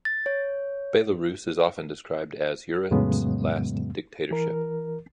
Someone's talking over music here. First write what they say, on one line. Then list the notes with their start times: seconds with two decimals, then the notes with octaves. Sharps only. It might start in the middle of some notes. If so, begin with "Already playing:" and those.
Belarus is often described as "Europe's last dictatorship".
0.05 A6
0.26 C#5
2.91 F2 A2 C#3 F#3 G#3 B3
4.31 E3 A#4